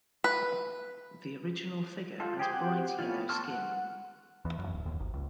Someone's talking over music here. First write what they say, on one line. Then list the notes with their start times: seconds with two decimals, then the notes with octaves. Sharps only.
The original figure has bright yellow skin.
0.24 B4
2.20 F4 A4
2.39 G4 G#4 C5
2.52 C4 F#4 G4 F#5 G5
2.99 A3 B3 C#4 E4 F4
3.29 A5 C6 C#6 E6 F6
3.44 F#5
4.45 E2
4.59 F#2
4.73 D1
4.86 D#2
5.00 G#1
5.14 C#2